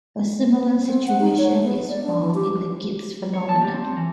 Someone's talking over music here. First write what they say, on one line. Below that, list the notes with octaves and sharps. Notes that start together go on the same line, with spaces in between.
A similar situation is found in the Gibbs phenomenon.
C4
F#5
D#4
C#5
A3
B3
B3
D5
D4
E3
G4
C#5
A5
G3
C4
E3